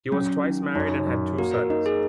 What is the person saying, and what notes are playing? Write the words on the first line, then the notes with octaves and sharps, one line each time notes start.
He was twice married and had two sons.
F#3 C#4
D#3
F#2 D#4
F#2
A#3 F#4
A#4
D#4 A#4
G#4